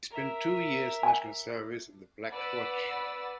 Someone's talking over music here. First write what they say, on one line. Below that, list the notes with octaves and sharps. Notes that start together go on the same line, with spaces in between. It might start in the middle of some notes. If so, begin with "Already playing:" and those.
He spent two years national service in the Black Watch.
A#4 E5
G#5
B4 D5 F#5 B5 E6 A6